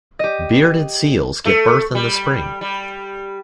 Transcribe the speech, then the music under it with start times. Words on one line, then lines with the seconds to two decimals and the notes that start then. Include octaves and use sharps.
Bearded seals give birth in the spring.
0.19 G4 D#5
1.46 A3
1.95 G3
2.61 G3